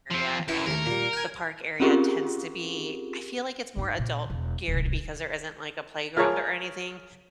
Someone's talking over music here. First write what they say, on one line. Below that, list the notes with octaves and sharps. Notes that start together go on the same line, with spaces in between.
area, and the park area tends to be I feel like it's more adult-geared because there isn't, like, a playground or anything,
F3 C4
F#2 E4 B4 G5
D#2 A3 A#4
A#2 G3
G5 G#5
C4 C#4 F4 G4 G#4 A#4
G2 D#4
A#2
E1
D1 C2
F4 G#4 A#4 C#5 A5